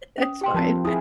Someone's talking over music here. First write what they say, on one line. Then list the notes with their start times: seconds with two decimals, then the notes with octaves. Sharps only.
that's fine,
0.18 C#4 D#6
0.41 G4 G5 C6
0.54 F3 C4 A#4 A5 B5
0.85 E4 G#4 G#5 D#6